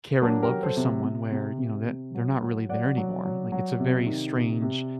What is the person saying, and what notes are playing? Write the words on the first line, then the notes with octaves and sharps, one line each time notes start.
care and love for someone where, you know, that they're not really there anymore? Like, it's a very strange
F#3 A#3 D4
G4 A#4
F#3
A4 C5
C3
C3
C3
C3
C3
F#3
F#3
F#3 D5 F#5
F#3
F#3
F#3
C3
D#3
C3
C3